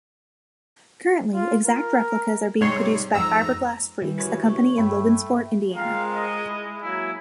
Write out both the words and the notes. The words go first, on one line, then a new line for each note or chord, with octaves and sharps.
Currently, exact replicas are being produced by Fiberglass Freaks, a company in Logansport, Indiana.
F4
A#4
G#2 C3 G3 C#5 C6
F2 G#2 A#5 E6
D#3 E3 G3
F#4 G4 A#4 B4 C#5 G#5
C#2 D3 C#5
G2 A3 E5 G5 B5
G#3 C4 F4 A#4 F5
D#5
E4
F#3 A#3 E4 G#5